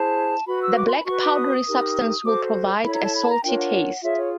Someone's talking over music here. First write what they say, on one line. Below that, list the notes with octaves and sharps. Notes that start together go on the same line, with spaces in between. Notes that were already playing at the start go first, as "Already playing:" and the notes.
This black, powdery substance will provide a salty taste.
Already playing: E4 G#4 C5 A5
F#4 B4 B5
E6
D6
C6
B5
F#4 B4 C#6
D6
D#6
D#4 G4 A#4
F#4 A4 C5 D6
E4 A4 C#5 B5
A#5
A5
B5
A5
A#5
D4 F4 A#4 C#5 G5
F#5
F4 G#4 C#5 E5
C#5